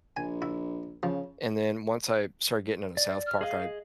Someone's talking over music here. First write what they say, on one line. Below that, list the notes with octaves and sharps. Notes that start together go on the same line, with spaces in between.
and then once I started getting into South Park, I
A#1 G#5
E4
C#3 F3
D5
F6
G#4 D#5 F5